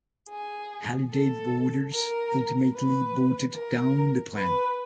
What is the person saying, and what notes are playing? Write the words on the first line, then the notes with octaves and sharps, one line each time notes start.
Halliday voters ultimately voted down the plan.
G#4
A4
A#4
B4
A#4
B4